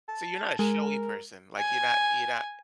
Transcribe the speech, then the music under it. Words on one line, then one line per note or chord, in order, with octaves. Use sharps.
So, you're not a showy person? Like, you're not you're not
A5
G#3 A#4
G#5